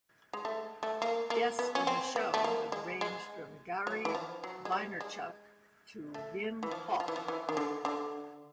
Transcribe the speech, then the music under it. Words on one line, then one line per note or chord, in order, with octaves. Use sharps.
Guest on the show have ranged from Gary Vaynerchuk to Wim Hof.
G#3
A3
A3
A#3
A#3
B3
C#4
C4
B3
A3
A#3
G#3
G#3
F#3
E3
F3
F#3
G#3
G3
G#3
A3
E3
F3
F3
E3
F3
E3
D#3
D3
D3